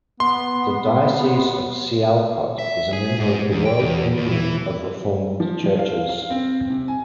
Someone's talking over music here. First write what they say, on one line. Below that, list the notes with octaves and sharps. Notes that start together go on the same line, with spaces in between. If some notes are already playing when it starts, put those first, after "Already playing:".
The Diocese of Sialkot is a member of the World Communion of Reformed Churches.
B3 C6
E5
G#4
G#2
E2
G5
E2
D#2
E3
F3
F3
F5
F5
C4
C3
G#5